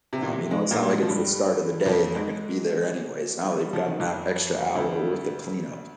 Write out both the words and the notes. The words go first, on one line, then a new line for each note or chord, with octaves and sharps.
um, you know, it's not like it's the start of the day and they're gonna be there anyways, now they've got an hou extra hour worth of cleanup.
C3
A#2
C3
G#2 G#3
A#2 A#3
G3
G#2 G#3
F3
G2 G3
G3
F2 F3
G#2 G#3
G3
F3
D#3
F2 F3
D2 D3